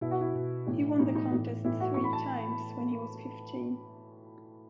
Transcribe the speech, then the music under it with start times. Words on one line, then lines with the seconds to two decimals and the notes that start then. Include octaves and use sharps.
He won the contest three times when he was fifteen.
0.01 B2 E4
0.11 F#4
0.21 E4
0.34 B2
0.66 A2 E3
0.99 A2 E3 D#4
1.15 D#4
1.31 A2 E3
1.64 A2 E3 E4
1.80 F#4
1.94 A2 E3 C#6
2.04 B5
2.13 A5